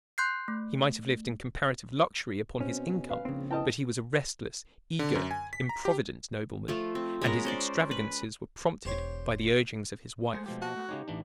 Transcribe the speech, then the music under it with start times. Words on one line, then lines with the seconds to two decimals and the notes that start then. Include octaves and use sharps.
He might have lived in comparative luxury upon his income; but he was a restless, eager, improvident nobleman, and his extravagances were prompted by the urgings of his wife.
0.18 C6 F#6 G6 C7
0.48 A3
2.60 B2 C4 C#4
3.09 B4 F5
3.25 A#1 C#3 C4
3.51 E4 B4 D#5 G5 A5 D#6
4.99 D3
5.15 F#2
5.31 G#5
5.53 B6
5.69 A#5
5.85 G4
6.68 F3 A3 F4
6.95 C4
7.22 G#3 B3 C#4 A#4
7.45 C#4 C5 D5
7.91 B4
8.85 E1 G4 C5 C#5
10.33 G#3 A3 G#4 C5
10.46 B2 F3 G4
10.62 A#3 F#4 D#5 A5
10.76 A3 B3
10.89 C#3 G#3 D#4 G4 C#5
11.08 A1 E3 D4